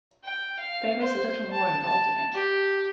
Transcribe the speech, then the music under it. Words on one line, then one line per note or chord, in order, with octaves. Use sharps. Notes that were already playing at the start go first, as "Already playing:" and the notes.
There is a little more involved in it.
G5
F5
C5
A5
A5
G4